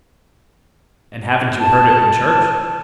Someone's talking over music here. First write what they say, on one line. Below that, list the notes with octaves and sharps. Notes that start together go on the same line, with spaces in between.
"And haven't you heard it in church?"
A5